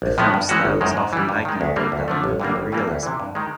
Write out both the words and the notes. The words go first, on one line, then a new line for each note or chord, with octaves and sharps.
The film's style is often likened to Italian neorealism.
A#1
A2 F3 G#3 B3
G2
E3 G#3 C#4 F#4
G1
F#2 D#3 G#3
G#2
E3 G3
G2
D#3 G#3
D2
D3 G3 A#3
D2
D3 F3 A3
A1
G2 D3 G3 A#3
G1
G2 E3 G3 A#3
D2
C3 E3
G2
D#3 G#3